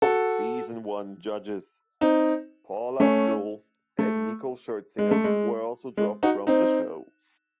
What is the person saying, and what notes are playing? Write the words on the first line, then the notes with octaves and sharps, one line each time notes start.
Season one judges Paula Abdul and Nicole Scherzinger were also dropped from the show.
F#4 A4
C4 D#4
A3 C#4
A3
G#3
A3
G#3
G#3
D#4 F#4
C4 D#4